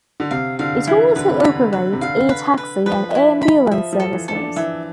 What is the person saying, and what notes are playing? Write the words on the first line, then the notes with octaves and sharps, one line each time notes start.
It also operates air taxi and air ambulance services.
D3
C3 F5
D3 F5
E3 E4
D3 B4
C3
D3 B5
B4
C3
D3 F5
B4
B4
F3 B4
E4
B5
F3 E5
F3
A4
E3
A4
D4
E3 E5